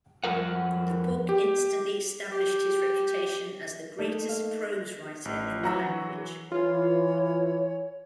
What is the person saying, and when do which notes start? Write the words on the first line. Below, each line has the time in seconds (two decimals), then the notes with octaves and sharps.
The book instantly established his reputation as the greatest prose writer in the language.
0.24 F2 A#4 F#5
1.29 G4
2.32 G4
3.98 A3 A#3 D#4
4.29 F5
4.73 A#6
5.25 A1
5.63 E3 F#3 F#4 F#5 A#5 E6
6.52 E3 F4 C#5